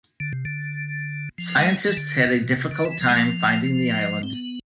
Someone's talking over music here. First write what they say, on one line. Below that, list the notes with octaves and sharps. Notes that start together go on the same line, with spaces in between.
Scientists had a difficult time finding the island.
D3
C3
D3
F3
G#3
E3
D3
B2
C3
D3
E3
F3
G#3
F3
C4
B3